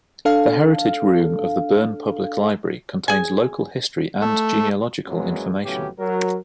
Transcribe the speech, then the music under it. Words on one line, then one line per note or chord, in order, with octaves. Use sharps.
The Heritage Room of the Berne Public Library contains local history and genealogical information.
D4 A4 F5
G#4 G#5
A3
E2 F#3 G#3 A#3 B3 C#4
A2 C#3 F#3 B3 C#4 G4
F#3 A#4